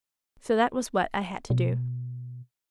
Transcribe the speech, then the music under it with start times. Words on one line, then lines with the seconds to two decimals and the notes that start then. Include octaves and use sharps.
So that was what I had to do.
1.50 B2